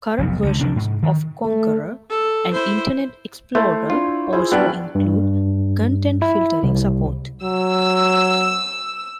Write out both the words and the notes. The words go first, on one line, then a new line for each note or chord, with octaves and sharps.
Current versions of Konqueror and Internet Explorer also include content filtering support.
F1 B1 F2
C#2 D3
C3 F3 D4
G#2
D#3
A3
A4
E4 C5
A3 E4 C5 C#5
D4 F4
E4 F4 G#4 C5
F#3 B3 C#4 D4 E4 G5 F#6
G2
E4
C2
F#3 E6